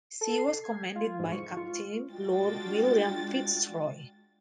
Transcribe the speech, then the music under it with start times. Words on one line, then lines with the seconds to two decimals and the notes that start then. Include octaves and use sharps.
She was commanded by Captain Lord William FitzRoy.
0.21 A4
0.38 C7
0.64 G#6
0.96 F4
1.19 G#2
1.32 C#6
1.57 F4
2.11 G#3 D4 F4 F#4 G5 A6